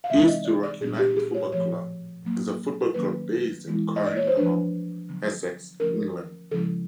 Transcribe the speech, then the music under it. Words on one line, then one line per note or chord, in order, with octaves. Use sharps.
East Thurrock United Football Club is a football club based in Corringham, Essex, England.
F5
C3 E3 G#3 C4 D#4 E5
D#5
D5
D5
A#2 G3 B3 D4 G#4
G4
G#4
C#5
A2 F3 A3 C#5
A2 F#3 A#3
D#3 F#3 A#3 C#4 B4
E3 G#3 B3 E4
D#5
D5
C#5
C5
F3 A3 D4 B4
D3 F#3 B3
D3 F3 A3 C#4 A#4
C#3 F3 G#3 C#4 E4 A4